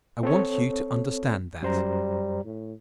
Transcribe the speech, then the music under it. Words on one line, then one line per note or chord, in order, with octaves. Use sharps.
I want you to understand that.
C4 A4 C#5
F#2 G3 C5 A#5
A2